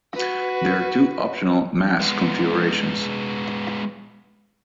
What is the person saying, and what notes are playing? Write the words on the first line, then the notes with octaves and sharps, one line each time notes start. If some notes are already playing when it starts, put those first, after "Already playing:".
There are two optional mast configurations.
F#4 B4
G#3 B3